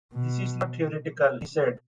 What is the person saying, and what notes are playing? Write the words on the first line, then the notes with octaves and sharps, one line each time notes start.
"This is not theoretical", he said.
B2